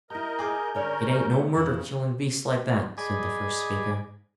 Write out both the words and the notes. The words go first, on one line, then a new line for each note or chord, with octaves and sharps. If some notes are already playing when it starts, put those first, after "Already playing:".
"It ain't no murder killing beasts like that," said the first speaker.
E4 G4 A#4 D#5 A#5 G6
G#4 D6
D3 C#4 A#4 C#5 D5
A3
F2 C#3 E3
G#4 D5 D#5 G#5 B5